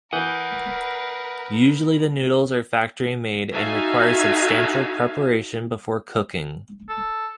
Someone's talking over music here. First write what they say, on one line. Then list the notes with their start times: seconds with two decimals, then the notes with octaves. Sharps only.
Usually, the noodles are factory-made, and requires substantial preparation before cooking.
0.13 E3 A#4 B4 E5 F#5 D#6 F#6 G6
3.53 D#4 F#4 A4 E5 F5 G#5
6.89 A4